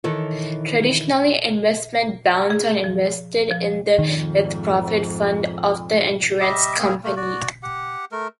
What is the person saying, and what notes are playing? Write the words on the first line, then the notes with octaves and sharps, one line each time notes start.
Traditionally investment bonds only invested in the with-profit fund of the insurance company.
D#3 E3 A4 C#5
G#4
F3
F3
F2 G#2 D#3
G3 G4 D#5 E5
A#3 C4 G#4
A3 A#3
F#4 D5
G4 F#5
A3 A#4